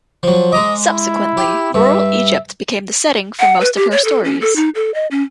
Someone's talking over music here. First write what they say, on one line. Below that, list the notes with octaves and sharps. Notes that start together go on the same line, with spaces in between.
Subsequently rural Egypt became the setting for most of her stories.
F3 F#3
G#3 D#5 A#5 D6
E4
G4
G2 E5
F#5
B4
G4
C#5
A4
C#4
A4
D#4
A4
D#5
C#4